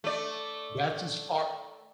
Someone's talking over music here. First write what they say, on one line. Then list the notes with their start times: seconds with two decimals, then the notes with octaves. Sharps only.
That's as far
0.04 A3 D5